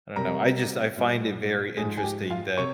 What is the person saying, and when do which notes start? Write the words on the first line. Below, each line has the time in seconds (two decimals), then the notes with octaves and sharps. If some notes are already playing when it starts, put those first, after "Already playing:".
I don't know, I just I find it very interesting that
0.16 C3 G3 A#4 A#5
0.97 A#2 G3
1.77 G#2 F3 G#3 G#4 G#5
1.97 G#5
2.04 G4 G5
2.31 F4 F5
2.57 C3 C#5 C#6